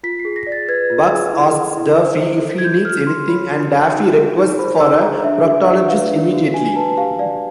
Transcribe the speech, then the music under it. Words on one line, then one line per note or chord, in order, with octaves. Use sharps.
Bugs asks Daffy if he needs anything and Daffy requests for a proctologist immediately.
F4 B6
C7
G#4
A#6
D5
A6
B4 G#6
F4
G#4
E4
A4
E4
C5
E4
A4
G#6
F#4 G6
A4 F6
F#4 C6
C#5 B5
F#4
A4
D#4
G#4
D#4
C5 B5
D#4 E6
G#4 A#5
D4 E5
F#4 E5
D5 E5
B4 F5
D4
F#4
G4 G#5
B4 A5
G4 F5
D5 F5